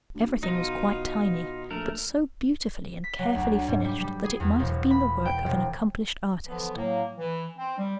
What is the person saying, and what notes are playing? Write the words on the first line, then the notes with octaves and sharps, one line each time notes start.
Everything was quite tiny, but so beautifully and carefully finished that it might have been the work of an accomplished artist.
D2
B2 D#4 F4
A#1 A3 A#4
B6
F#3
D2
G#2
G3
G3
G#4
E2
E1
B5
G5
E1
D3 E3 F3 B3
A2 F#3 A#3
E3
C4
G3